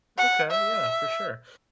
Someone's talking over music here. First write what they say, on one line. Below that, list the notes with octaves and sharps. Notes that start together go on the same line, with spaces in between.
Okay, yeah, for sure.
F#5
E5